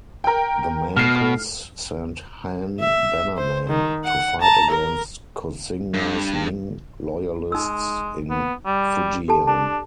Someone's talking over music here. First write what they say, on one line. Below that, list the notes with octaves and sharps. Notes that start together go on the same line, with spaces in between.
The Manchus sent Han Bannermen to fight against Koxinga's Ming loyalists in Fujian.
A#4 G5
B2 F6 C7
E5
C5
D#3
F#5
A5 A#5
A#4
G2
G#3 D#4 E6
B3
G3
G4 A4 A5
D4 A5